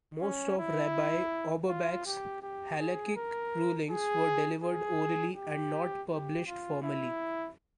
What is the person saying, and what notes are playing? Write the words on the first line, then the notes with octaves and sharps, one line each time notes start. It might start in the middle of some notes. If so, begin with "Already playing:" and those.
Most of Rabbi Auerbach's halachic rulings were delivered orally and not published formally.
C#4
E4
F4
G4
G4
G#4
A#4
G#4
G#4
G4
G4
F4
E4